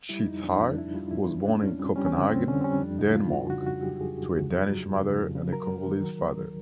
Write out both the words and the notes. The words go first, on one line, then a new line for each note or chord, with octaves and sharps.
Tchicai was born in Copenhagen, Denmark, to a Danish mother and a Congolese father.
G3 E4
F2 D#4
F2 D4
F2 D4
F2 E4
G3 F4
F2 E4
F2
C#4
F2 D4
F2 C#4
G3 C4
G3 C#4
C#4
D3 C4
F2 C4
D3 C#4
C4
G3 C#4
F2 D4
C#3 D#4
F2 F4
F2 F#4
C#3 F#4
F2 F#4
F#3 G4
F2 G#4
F2
F2
F#3
F#3
F2
C#3
F2
C#3
F#3 A#4
F#3
D#3
F#3
D#2